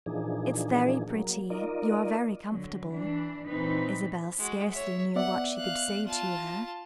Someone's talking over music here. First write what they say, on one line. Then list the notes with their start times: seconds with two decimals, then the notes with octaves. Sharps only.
"It's very pretty; you're very comfortable." Isabel scarcely knew what she could say to her.
0.06 A#2 E3 F3 D4 D#4 G#4
1.10 F#3 A#3
1.50 D#4 F4 A#4 D5 D#5
2.51 D3 F#3
2.90 E3 D4
3.48 A#2 E3 C4 D#4 B4
4.39 G#3 F#4
4.72 C#5 E5
5.16 B3 D5 E5 F#5
5.57 F5 F#6
6.06 F4 A5